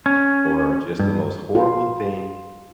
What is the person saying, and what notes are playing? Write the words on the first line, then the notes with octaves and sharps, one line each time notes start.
or just the most horrible thing
C#4
G2
F4